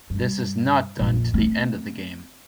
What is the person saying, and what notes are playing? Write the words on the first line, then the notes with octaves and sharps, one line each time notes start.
This is not done to the end of the game.
G2
A#1 F2
A3 C4